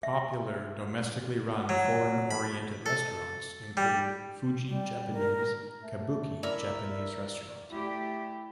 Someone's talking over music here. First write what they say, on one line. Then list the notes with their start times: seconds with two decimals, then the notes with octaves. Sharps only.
Popular domestically run foreign oriented restaurants include Fuji Japanese, Kabuki Japanese Restaurant.
0.03 E5
1.69 F#3
2.31 B5
2.86 A4
3.77 G3
4.69 G3
5.15 A#4
5.83 A3
6.43 E4 A#4 D5 E5
7.71 A3 E4 G4